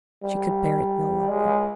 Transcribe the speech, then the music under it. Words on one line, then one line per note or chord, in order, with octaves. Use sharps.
She could bear it no longer.
G3
G#3